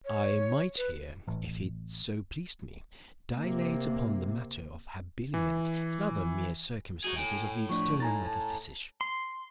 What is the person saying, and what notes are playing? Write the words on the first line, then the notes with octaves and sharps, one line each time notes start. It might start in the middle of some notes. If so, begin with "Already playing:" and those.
I might here--if it so pleased me--dilate upon the matter of habiliment, and other mere circumstances of the external metaphysician.
C#5
B4
A1
C3 A#3
E3
D#4 F#4 G#4
A2 G#5
F3 A3 D4 C#6
D#4 G#5 A#5 A6
A5
C6